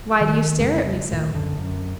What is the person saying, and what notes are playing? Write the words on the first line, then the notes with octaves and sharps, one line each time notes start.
'Why do you stare at me so?
D#3
G1 F2 C#3 G#3
D2 A#2 D#3
F#2 D3
F#2